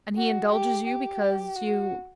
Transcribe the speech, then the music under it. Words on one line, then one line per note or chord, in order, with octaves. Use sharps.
And he indulges you because you . . .
F#4
G4
G4
F#4